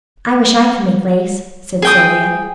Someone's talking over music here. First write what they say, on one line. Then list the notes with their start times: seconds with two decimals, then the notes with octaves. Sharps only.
"I wish I could make lace," said Sylvia.
1.82 G#4 G5 D#6